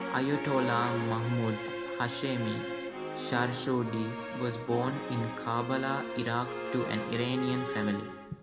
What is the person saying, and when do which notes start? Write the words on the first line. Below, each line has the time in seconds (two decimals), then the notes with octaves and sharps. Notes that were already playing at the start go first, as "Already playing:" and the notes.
Ayatollah Mahmoud Hashemi Shahroudi was born in Karbala, Iraq to an Iranian family.
Already playing: F#3 A#3 C#4 F#4 A#4
0.30 G#3 C#4 F4 A#4 C#5
1.17 C#4 F4 C5
2.05 C#4 F4 C5
2.91 D#3 G#3 C4 F#4
3.79 A#3 D#4 A#4 C#5
4.67 F#3 C4 D#4 G#4
5.54 A#3 F4 C5
6.41 A#3 F4 G#4 C5
7.29 F#3 C#4 G#4